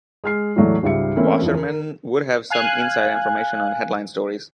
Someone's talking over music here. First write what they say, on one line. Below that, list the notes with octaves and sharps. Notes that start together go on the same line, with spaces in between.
Wasserman would have some inside information on headline stories.
G#3 F6 C7
E2 A2 F#3 A3 D5
C#2 G#2 G3 E5 C#7
E3 A3 A#3 C4 C#4 E4
F2 E3
A#4
F5 G#5 F#6